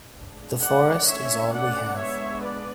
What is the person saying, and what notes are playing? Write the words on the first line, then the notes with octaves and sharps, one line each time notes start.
The forest is all we have.
G#3 D4
D5 F#5
D3 A3 C#4 C#5 E5
D5 F#5
G#3 B3 D4 C#5 E5
B4 D5